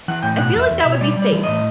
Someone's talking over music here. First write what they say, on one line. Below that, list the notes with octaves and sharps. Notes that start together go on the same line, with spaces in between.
I feel like that would be safe.
E3 F#5
A2 G5
B2 F#5
E2 E5
E2
B2 E5
C#5
G3 D5
G3
D5
E3
A2 D#5